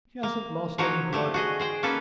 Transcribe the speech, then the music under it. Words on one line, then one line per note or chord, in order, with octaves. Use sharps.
He hasn't lost any blood.
A#3
F3 F#3 A#3 D#4 F#4 C#5
F3 A3 G4
F#4 G#4 D#5
G#4 C5 G5
A#3 C#4 A4 B4